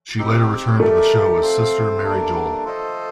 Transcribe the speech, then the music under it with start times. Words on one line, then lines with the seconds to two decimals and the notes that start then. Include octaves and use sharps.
She later returned to the show as Sister Mary Joel.
0.19 C4 D#4 G4
0.80 A3 D#4 G4 A#4 D5
1.41 C4 F4 C5 F5
2.03 G3 A#3 D4
2.65 F4 A4 C5 D#5